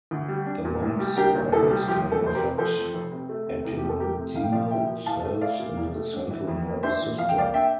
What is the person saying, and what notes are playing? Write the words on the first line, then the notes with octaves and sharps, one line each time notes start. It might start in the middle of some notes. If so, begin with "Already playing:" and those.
The mumps virus can infect ependymal cells in the central nervous system.
D2
G3
D4
A#2
C2
G3
D4 G4 A#4
A#2
C2 A4
G3
F3 G4
F2
A4
F1 C5
G4 A#4
C3
F3 A4 C5
F2
F1
C3
A3
C3
C2
G4
F3
A4
A3 G4 A#4
C3
C2 F5
G5
F3 D5 F5
E4 E5 G5
A#2
C2 F5 A5
A3
E4 D5 F5
A#2
C2
A3
D4
E3
F2
A#3
D4 C5 E5
E3
F2 F5
G5
A#3 D5 F5
D4 E5 G5